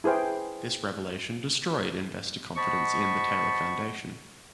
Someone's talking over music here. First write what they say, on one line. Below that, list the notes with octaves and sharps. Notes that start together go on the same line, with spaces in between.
This revelation destroyed investor confidence in the Taylor Foundation.
E4 G#4 B4 C5 G5
C5 D#5 F#5 A5 B5 C#6